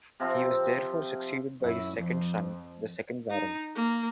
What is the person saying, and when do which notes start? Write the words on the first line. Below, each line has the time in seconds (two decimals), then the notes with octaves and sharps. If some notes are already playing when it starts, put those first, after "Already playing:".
He was therefore succeeded by his second son, the second Baron.
0.20 C3 F3 C4 F4
1.60 F#2 E4
1.96 F2 F3
3.30 D#4
3.75 A#3